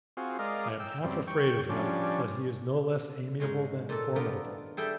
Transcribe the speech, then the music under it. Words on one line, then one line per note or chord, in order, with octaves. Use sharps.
I am half afraid of him; but he is no less amiable than formidable.
C4 F4 F#4 G#4
G#3 A#4 D5 D#5 F5
G5 E6
F#2 G3 C4
G5 C#6
F3 G3 C#4 D4
G#2 G#3 C#4
A#2 A4
D#3 B3 D4 F4 A#4 D5
G3 E4 G#4 A4 E5 G5